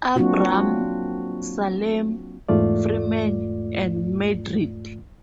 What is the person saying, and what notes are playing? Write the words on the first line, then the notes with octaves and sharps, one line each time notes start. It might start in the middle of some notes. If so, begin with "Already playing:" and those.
Abram, Salem, Freeman, and Madrid.
F#3 A#3 C4 D4 F4 F#4
E2 G#2 A3 F4 D5